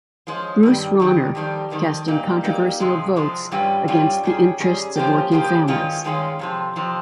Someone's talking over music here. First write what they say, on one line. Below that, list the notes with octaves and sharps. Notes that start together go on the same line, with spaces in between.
Bruce Rauner, casting controversial votes against the interests of working families.
F3 G#3 C#4
G2 D#3 G3
G2 D#3 G3
F2 D#3 G3
F2 D#3 G3
A#2 G3 A#3 D#4
A#2 G3 A#3 D#4
C3 F3 G#3
C3 F3 G#3
G2 G3 C#4 F4
G2 G3 C#4 F4
G#2 G3 C#4 G#4
G#2 G3 C#4 G#4
C#3 F3 A#3 C#4 G4
C#3 F3 A#3 C#4 G4
G2 D#3 G#3 C#4 F4
G2 D#3 G#3 C#4 F4
F2 C3 F3
F2 C3 F3